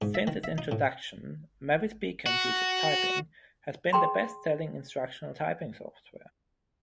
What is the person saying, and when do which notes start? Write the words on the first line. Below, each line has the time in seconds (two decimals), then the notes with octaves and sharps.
Since its introduction, Mavis Beacon Teaches Typing has been the best-selling instructional typing software.
0.02 G#2
0.14 E5
0.27 D#3
0.44 E5
0.58 D#4
0.71 A2
2.26 F#4
3.93 G#4 G5 A#5 C6